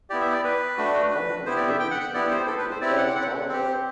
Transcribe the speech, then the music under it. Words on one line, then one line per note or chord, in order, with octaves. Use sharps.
Conference win percentage will be the first tiebreaker.
B3 E4 G4 D5
E5
D5
B4
A3 D4 F#4
B4
B3 E4 G4 C5
D5
E5
G5
F#5
B3 E4 G4 D5
C5
A4
B4
C5
C4 E4 G4 D5
F#5
F#5
C4 G4